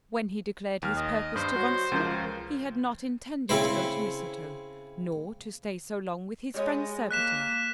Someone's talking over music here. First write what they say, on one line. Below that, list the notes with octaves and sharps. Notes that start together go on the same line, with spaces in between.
When he declared his purpose to Runciman, he had not intended to go to Mistletoe, nor to stay so long with his friend Surbiton.
D#2 F6
D#5
G2 C5
F#4 C#5
C#2 F3 A#4
C#3 C4 E4 C5
G3 G#3 C#5 D#5
A#3 F#6 B6 E7